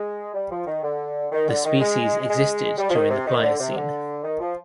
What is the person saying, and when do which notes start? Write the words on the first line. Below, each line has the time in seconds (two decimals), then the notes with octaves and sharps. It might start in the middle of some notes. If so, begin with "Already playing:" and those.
The species existed during the Pliocene.
Already playing: G#3
0.34 G3
0.51 F3
0.66 D#3
0.83 D3
1.32 D#3
1.48 D3
1.65 D#3
1.81 G#3
2.29 G#3
2.78 G3
2.90 F3
2.95 D#3
3.10 C3
3.27 D#3
3.43 D3
3.60 C3
3.76 D3
4.24 D#3
4.40 F3